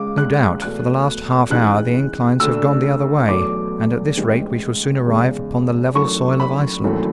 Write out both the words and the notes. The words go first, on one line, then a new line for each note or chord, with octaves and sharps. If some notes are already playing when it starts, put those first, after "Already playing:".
"No doubt, for the last half-hour the inclines have gone the other way, and at this rate we shall soon arrive upon the level soil of Iceland."
Already playing: C#2 C#3 G#3 D6
F#6
E2 B2 A3 F#6
A1 G#2 E3 G#3 F#6
D2 D3 A3 E6
E2 B2 F#3 A3 D6
A1 A2 G#3
E2 C#3 G#3
F#2 E3 A3 C#6
B5
G#1 F#2 E3 A3